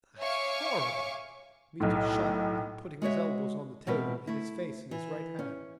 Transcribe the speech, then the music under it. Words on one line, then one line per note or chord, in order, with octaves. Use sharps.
"That's horrible!" Mitya shuddered and, putting his elbows on the table, hid his face in his right hand.
C#5 E5 F5 G#5 C#6 D6
B1 A2
G#3 F#4 C#5 E5
B2 E3 G#3 C4 A#4 B4
A3 E4
E3
C#4